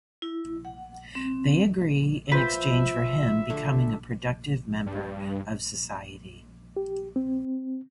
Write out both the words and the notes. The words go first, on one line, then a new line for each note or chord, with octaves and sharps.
They agree in exchange for him becoming a productive member of society.
E4
F#5
C4
F3 B4 C5 E5
D3 A3
G2
G4
C4